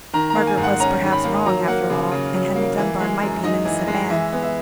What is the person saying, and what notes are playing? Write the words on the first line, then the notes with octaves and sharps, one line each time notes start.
Margaret was, perhaps, wrong, after all, and Henry Dunbar might be an innocent man.
D#3 A#5
A#5
A#3
G#5
G#2
F#5
C#4 A#5
D#3
B5
A#3
F#3 A#5
A#3 F#5
C#3
C#3
F#3
A#3
E3
G#3
F#2
D#4 D#5
E3
G#3
E3 E5
B3
E5